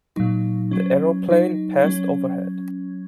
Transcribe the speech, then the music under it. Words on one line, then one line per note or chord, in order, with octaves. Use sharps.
The aeroplane passed overhead.
A#2 F#3 D#4
F#3 C#4
F#3 D#4
F#3 C#4